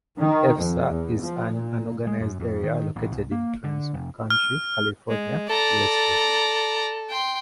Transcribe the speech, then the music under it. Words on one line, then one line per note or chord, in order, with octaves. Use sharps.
Efsta is an unorganized area located in Fresno County, California, USA.
D#3
F2
E2
F3
A#2
G#3
F#2
F2
D#3
A1
C2
A#3
D3
F1
F6
G#3
A4 D5 A#5
G5 C6